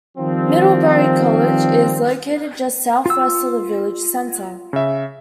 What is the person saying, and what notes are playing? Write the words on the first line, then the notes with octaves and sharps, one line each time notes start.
Middlebury College is located just southwest of the village center.
D#3 F3 G3 C4
F4 E6
C#3 E5